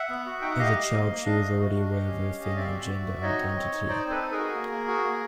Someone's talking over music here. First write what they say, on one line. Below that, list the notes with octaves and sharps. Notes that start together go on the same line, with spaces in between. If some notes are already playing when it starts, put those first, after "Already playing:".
As a child, she was already aware of her female gender identity.
Already playing: E5 F#5
B3
F#4
D#4 G5
F#5
G4 D#5 F5
G4
A#3
A#3
D4 D#5 F5
A3
F#4
D4
G4
C#4
C#4
G4 D#5
C4 D5 E5
F#4
F#4
F#4
D#4 C#5 D#5
C4
C4
D#4
D#4 C5 D5
C4
A4 B4
D#4
G#4 A#4
F#4
A#3
A#3
F#4
A#3